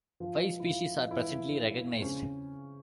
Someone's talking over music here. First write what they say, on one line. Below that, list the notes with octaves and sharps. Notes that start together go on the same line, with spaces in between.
Five species are presently recognized.
F3 F4
E4
F3 F4
E3 E4
C4
C#3 C#4